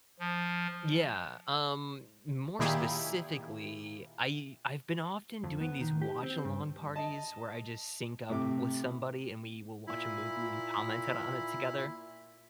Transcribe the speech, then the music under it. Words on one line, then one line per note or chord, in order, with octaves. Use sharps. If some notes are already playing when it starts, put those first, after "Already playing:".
Yeah, um, more specifically, I I've been often doing these watch-along parties where I just sync up with somebody, and we will watch a movie and comment it on it together.
F3
A#2 D#3 A#3 E4 G4 G#4
F2
B3
D#3
G4
C4
G2
D#5 A5
A2 C3 D6
A#2 E4 B5